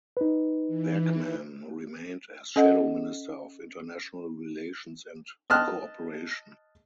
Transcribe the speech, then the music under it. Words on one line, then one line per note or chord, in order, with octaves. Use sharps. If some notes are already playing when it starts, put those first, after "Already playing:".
Bergman remained as Shadow Minister of International Relations and Cooperation.
D#4 B4
E3
C#4 A4 D#5 F#5
D#5 A5 F6 F#6